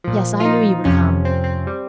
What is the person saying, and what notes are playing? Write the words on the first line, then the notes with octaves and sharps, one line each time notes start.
Yes, I knew you would come.
A#2 F3
F4
D#4
F2 C3 F3 C#4
C4
C4
G3